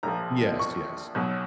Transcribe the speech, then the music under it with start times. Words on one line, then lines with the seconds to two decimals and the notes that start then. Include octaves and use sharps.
Yes, yes.
0.03 A#1 A#2 F3 A#5
0.59 C#6
1.15 B1 B2 F#3